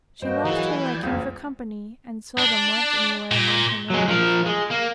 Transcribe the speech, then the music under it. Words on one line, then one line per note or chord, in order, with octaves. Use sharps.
She lost her liking for company, and seldom went anywhere among her neighbours.
G2 A#3 F#4 B4 C5 D#5 G5
E3 F#3 G#4 F#5
E2 F3 D5 G5 G#5
F#1 C#2 G#2 F5
D4
A#2
F#3 G#3
F3 A#4
G#3
A#3